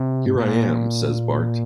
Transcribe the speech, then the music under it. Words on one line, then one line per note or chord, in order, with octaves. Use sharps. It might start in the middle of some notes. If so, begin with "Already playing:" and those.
"Here I am," says Bart.
Already playing: C3
G#2
A#2